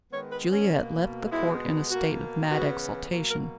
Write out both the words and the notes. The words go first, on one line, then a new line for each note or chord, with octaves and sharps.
Juliette left the court in a state of mad exultation.
D#3 G#3 B3 C#5
B4
C#4
B2 A#3
B2 G#3 B3 E4
B2 A#3 F#4
C#3 E3 B3 F#4
B2 F#3 A#3
A#4